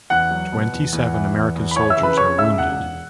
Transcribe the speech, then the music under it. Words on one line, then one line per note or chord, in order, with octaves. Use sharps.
Twenty-seven American soldiers are wounded.
E2 F#5 F#6
F#3
B2
E2
E2
E3
E2
E2
B5
E3 C#5 C#6
E5 E6
C#3
B4 B5
C#3 C#5 C#6
C#2 E5 E6
E1 F#5 F#6
E1